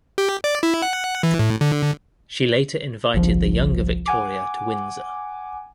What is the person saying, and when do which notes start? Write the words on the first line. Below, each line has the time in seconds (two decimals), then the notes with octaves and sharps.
She later invited the younger Victoria to Windsor.
0.18 G4
0.44 D5
0.63 E4
0.82 F#5
1.23 E3
1.39 A2
1.61 D3
3.14 G1 C2 F3
4.06 F#5 G#5 D6